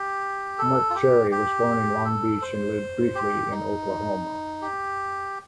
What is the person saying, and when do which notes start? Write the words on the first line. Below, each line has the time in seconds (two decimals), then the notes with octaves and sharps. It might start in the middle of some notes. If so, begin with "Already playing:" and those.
Marc Cherry was born in Long Beach and lived briefly in Oklahoma.
Already playing: G4
0.59 A4
0.90 F4
0.95 G4
1.31 G4
2.05 A4
2.42 C5
3.15 G4
3.51 D#4
4.62 G4